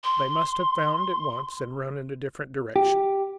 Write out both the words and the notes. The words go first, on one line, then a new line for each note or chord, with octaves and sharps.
They must have found at once, and run in a different direction.
C6
G4